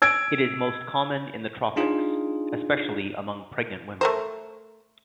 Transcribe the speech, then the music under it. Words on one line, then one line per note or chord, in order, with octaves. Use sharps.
It is most common in the tropics, especially among pregnant women.
E6 G#6 D7
D4 D#4 F4 G#4
A3 A#4 C5